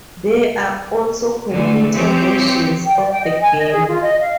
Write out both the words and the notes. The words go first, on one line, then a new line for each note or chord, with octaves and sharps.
There are also computer versions of the game.
D3 E3 A3
E3 F3 C4 G4 C#5
G5
D5
G5
D#5
G#5
D#5
G#4
F4
D#5
F5